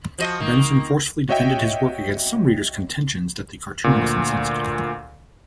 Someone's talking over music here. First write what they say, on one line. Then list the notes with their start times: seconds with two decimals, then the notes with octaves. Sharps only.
Benson forcefully defended his work against some readers' contentions that the cartoon was insensitive.
0.18 F3 F#4 D#5
0.40 D#3 A#3
1.29 F#4 C#5 D#5 E5 G5
3.84 D2 A#2